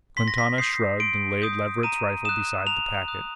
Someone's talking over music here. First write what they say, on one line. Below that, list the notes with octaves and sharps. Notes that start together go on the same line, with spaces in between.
Quintana shrugged and laid Leverett's rifle beside the packet.
C6 B6
A#6
B6
D#6 G6 C7
C6 D7
D#6 G6
A#5 D#7
D#6 F#6 E7
A#5 F7
D#6 F#6